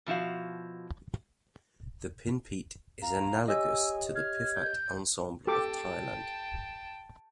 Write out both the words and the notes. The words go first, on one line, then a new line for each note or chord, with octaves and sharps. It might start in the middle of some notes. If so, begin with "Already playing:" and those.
The pinpeat is analogous to the piphat ensemble of Thailand.
B2 F3 E4 F#4 F5
F5 A#5
G4 C#5 D#5 G#5 E6
F6 G#6
G6
G4 A4 G5 A5 D6